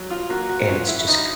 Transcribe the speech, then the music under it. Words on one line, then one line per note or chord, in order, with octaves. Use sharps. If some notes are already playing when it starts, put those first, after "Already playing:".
and it's just c
Already playing: F#3
F4
A#3 F#4
F#4
C#4 F4
E4
E4
D#3 D#4